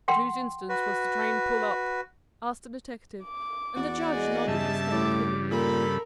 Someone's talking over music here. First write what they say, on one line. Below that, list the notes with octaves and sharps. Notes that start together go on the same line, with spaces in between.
"At whose instance was the train pulled up?" asked the detective, and the Judge nodded his head approvingly.
F#5 G5 C6
F#4 B4
D6
E2 F#4 D5
G#4 D#5
G2 C#3 G3 E5 A5
A2 D6
A#2 A4 A#4 B5